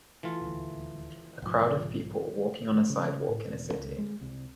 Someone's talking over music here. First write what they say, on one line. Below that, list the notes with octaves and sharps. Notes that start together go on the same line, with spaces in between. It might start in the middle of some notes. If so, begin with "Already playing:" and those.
A crowd of people walking on a sidewalk in a city.
E3 A3 F4
D#1 D2
B1 G#2 F3
C#3
A2
E1
C#2
G#3
C2